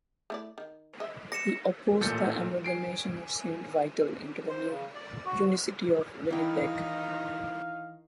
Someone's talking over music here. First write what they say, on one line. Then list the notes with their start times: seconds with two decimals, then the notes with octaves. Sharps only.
He opposed the amalgamation of Saint Vital into the new "unicity" of Winnipeg.
0.30 A3 E4 D5
0.58 D#3
1.00 D#5 E5
1.32 D5 A#6 C#7 E7
2.01 A1 A#2 A4 G6 A6 C#7
2.64 G#5 C7 D7
4.49 C5
4.69 C#3
4.95 D5
5.25 F#4
6.30 D#3 E3 D#4 E4 F5 G5